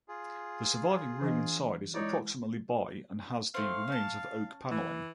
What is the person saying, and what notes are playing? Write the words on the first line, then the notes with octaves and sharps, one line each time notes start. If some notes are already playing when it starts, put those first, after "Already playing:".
The surviving room inside is approximately by and has the remains of oak panelling.
F4 G#4
E3 D4 D#5
G#3 D#4 E4 C#5 D5
A3 C4 F5
C#4 A5
E3